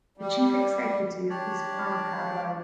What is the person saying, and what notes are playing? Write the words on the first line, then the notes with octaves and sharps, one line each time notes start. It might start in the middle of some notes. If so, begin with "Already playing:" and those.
The Chief Executive is Pam Tatlow.
G3
D4 G4 C#5 D5